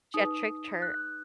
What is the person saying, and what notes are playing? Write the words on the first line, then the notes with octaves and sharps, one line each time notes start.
She had tricked her
D#4 G#4 B4 D#6
F#6